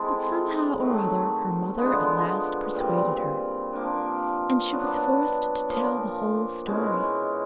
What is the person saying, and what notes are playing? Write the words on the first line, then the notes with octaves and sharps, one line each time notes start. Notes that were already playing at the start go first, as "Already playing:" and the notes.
But somehow or other her mother at last persuaded her, and she was forced to tell the whole story.
Already playing: G#3 C4 E4 A4
D#3 F#3 A3
D3 F3 G#3 B3
A#2 G3 C4
F3 A#3 D4
F#3 B3 D4
A#2 F3 A#3
B2 G#3 C#4 E4